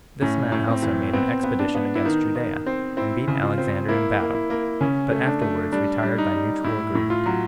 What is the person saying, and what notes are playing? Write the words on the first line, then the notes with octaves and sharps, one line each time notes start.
This man also made an expedition against Judea, and beat Alexander in battle; but afterwards retired by mutual agreement.
A2 C#4
A2
C4
E3
B3 C4
B3
D4
B3
E4
D#3 D#4
D#3
C4
C4 E4
C#3
F4
C4
A#3 E4
A#3
E4
A#3
C#3 C#4
A3
D4
A3
G3 D4
G3
D#4
G3
A2 E4
A2
F4
F#3